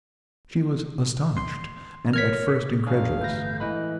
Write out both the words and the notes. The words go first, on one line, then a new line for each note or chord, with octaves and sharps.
She was astonished, and at first incredulous.
C6
A#4 C#5 F6 G#6 B6
A1 A#3 D4 G#4 C#5 F5
G1 A3 B4 G6 A#6
E3 G#3 B4 D#5 B5